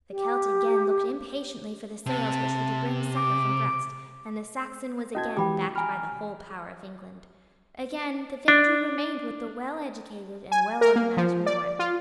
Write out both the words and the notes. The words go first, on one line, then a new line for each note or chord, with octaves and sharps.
The Celt again looked impatiently for the sails which were to bring succour from Brest; and the Saxon was again backed by the whole power of England. Again the victory remained with the well educated and well organized minority.
G4
C3 A5
D6
C#4 F#4 D#5 A5 G#6
E3 G#3 G4 G5 B5 D6
G5 G#5 A#5 B5 F6
D4
G#5
A#4
A#3
F3
D5
F4